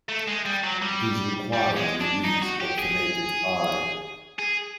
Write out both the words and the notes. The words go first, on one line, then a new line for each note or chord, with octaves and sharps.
This requires the use of the naked eye.
A3
G#3
G3
F#3
G3
G3
G#3
D4
D#4
F#4
G4
G#4
G#4